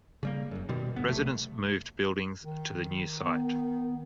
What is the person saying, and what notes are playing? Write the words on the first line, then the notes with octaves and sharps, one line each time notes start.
Residents moved buildings to the new site.
C#3 G3 A#3
F#1 F#2
B2 D#3 G3
G1 D2 B3
B1 C3 A3
D#3
B3